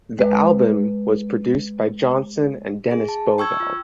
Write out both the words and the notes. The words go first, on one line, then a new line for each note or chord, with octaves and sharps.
The album was produced by Johnson and Dennis Bovell.
G#3 B4
G#4
A5
G5 C#6 E6 G#6
F4